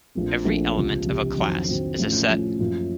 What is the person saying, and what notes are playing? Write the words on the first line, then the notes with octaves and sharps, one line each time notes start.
Every element of a class is a set.
A#1 A#2 F3 A3 C4
A#1 A#2 F3 A3 C4
C#2 C3 F3
C#2 C3 F3
F2 D#3 F#3 C4 F#4
F2 D#3 F#3 C4 F#4
A1 A2 F3 A3 C#4
A1 A2 F3 A3 C#4
F#2 F3 A#3 C#4 F4